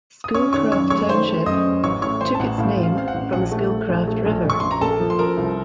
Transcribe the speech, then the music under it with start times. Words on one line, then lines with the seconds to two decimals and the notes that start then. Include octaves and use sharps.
Schoolcraft Township took its name from the Schoolcraft River.
0.24 D#6
0.34 C#4 C#5 C#6
0.53 D#3 C#5 C#6
0.72 F#2 C#5 C#6
0.90 A3 C#5 C#6
1.09 D#3 C5 C6
1.28 A3
1.46 F#2 D#5 D#6
1.65 C#4
1.83 A1 C#5 C#6
2.02 A2 C#5 C#6
2.21 A1 C5 C6
2.35 A5
2.39 A1 F#5
2.58 A2 F5
2.77 A1
2.83 F5
2.95 C4 F5
3.08 F#5
3.14 A1
3.33 A#1 F#5
3.51 A3
3.70 A3
3.89 A#1
4.08 A3
4.26 A#1
4.44 A#1
4.50 C#6
4.60 A#1 C6
4.71 A#5
4.81 A#3 A4 A5
5.00 F3
5.10 C6
5.19 F3 A#4 A#5
5.37 C2